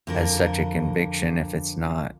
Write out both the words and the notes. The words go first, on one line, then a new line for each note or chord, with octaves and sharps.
as such a conviction if it's not
F2 D3 A#4